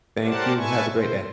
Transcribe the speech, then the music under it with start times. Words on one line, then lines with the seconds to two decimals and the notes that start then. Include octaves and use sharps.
Thank you, have a great day.
0.24 G4 A#4 C5 D5 F#5 A5
0.57 E4 B4 E5 G#5 A5 C#6
0.91 B2 C5